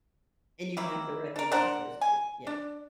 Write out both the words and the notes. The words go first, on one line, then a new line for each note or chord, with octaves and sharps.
and you have to recognize those too. Yeah,
D#3 A#3 E4
D4 A#4
D4 A#4 C5 F#5
G#5
D4